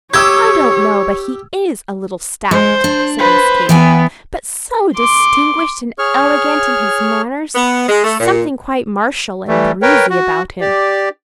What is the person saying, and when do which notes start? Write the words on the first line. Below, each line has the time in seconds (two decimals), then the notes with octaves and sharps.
"I don't know but he IS a little stout," said Miss Katy; "but so distinguished and elegant in his manners--something quite martial and breezy about him."
0.14 G4 C#5 D#6 E6 G#6
2.51 G#3 C5
2.84 D4
3.18 B4 C5
3.69 E3 B3 G5 G#5
4.95 C6 D6
5.99 G#4 C#5 C#6 F6
7.55 B3
7.88 G#3
8.04 A3
8.20 A#2
9.48 E3 G3 A3
9.82 A#4 B4 C#5 G5
10.10 F#4
10.61 G4 D5